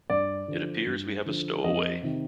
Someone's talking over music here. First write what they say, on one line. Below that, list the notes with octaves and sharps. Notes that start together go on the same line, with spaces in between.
It appears we have a stowaway.
G2 D5
D3 F3
G2
D3 F3
F2 D#5
C3 D#3